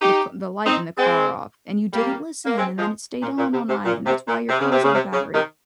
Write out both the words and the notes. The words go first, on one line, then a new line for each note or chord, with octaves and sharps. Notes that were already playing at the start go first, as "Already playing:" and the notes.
the c the light in the car off," and you didn't listen, and then it stayed on all night, and that's why your car's out of battery.
D#4 G4
C4 D#4
G#3 C4
G3 A#3
A#3
G#3 C4
F3 G#3
A#2
A#2
C3
C3
A#2
C3
A#2
C3
C#3
C3
C#3
C3
C#3
C3 D#3